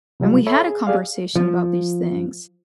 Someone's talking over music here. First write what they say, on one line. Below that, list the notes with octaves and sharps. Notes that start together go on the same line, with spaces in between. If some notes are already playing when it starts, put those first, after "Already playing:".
And we had a conversation about these things,
C3 F#3 G3 F4
A4 C#5 E5 B5
G#4
G4 G#4 D5 F5
F3